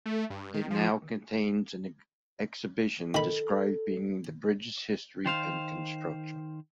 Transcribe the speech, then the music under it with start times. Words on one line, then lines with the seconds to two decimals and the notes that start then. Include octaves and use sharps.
It now contains an exhibition describing the bridge's history and construction.
0.06 A3
0.30 G2
0.54 D#3
0.71 F3
3.14 D#3 A4 B5
5.26 D#3 C5 F5